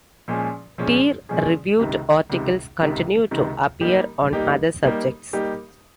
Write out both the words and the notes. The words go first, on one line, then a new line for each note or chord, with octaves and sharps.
Peer reviewed articles continue to appear on other subjects.
A#2 F3 G#3 C#4 G#4
A#2 F3 G#3 C#4 G#4
A#2 F3 G#3 C#4 G#4
C#2 C3 D#3
C#2 C3 D#3
C#2 C3 D#3
C#2 C3 D#3
G3 A#3 D#4 G4
G3 A#3 D#4 G4
G3 A#3 D#4 G4
G3 A#3 D#4 G4